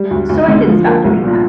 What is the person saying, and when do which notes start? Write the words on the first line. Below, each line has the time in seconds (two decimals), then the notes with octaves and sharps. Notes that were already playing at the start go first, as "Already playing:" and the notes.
So, I did stop doing that.
Already playing: G3
0.11 D2
0.29 D2
0.48 D3
0.67 F3
0.86 A#3
1.04 C2
1.24 A#2